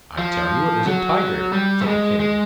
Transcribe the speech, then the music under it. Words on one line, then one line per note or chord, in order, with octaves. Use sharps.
'I tell you it was a tiger,' said the king.
F3
F#3
G3
A3
G#3
G#3